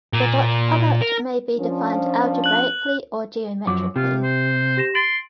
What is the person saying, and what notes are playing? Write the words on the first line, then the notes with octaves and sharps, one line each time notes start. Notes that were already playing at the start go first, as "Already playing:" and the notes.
The dot product may be defined algebraically or geometrically.
A#2
A#4
F3 C#4 D4
F#6 F#7
F#2 F3 F#3 D6
C3 F4 G4
C5
G4 A#6 E7
C6 A6 D7 F#7